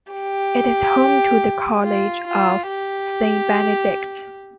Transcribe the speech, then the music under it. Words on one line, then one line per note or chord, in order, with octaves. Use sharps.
It is home to the College of Saint Benedict.
G4
F4
F4
G4